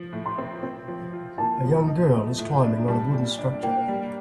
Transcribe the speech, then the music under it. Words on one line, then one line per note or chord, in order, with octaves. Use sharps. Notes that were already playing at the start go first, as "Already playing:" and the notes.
A young girl is climbing on a wooden structure.
Already playing: F3
A2
C6
C4
C4
F3
F4
A#3 A5
F3
D#4
A3
A2
D4
G3 A5
A#2
D4
A#3 G5
G3